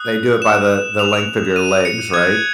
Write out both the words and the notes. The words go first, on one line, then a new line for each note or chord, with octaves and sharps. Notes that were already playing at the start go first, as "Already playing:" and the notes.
they do it by the the length of your legs, right?
Already playing: D#6 F#6
E7
F7
D#7
C#7
D#6 F#6 G#6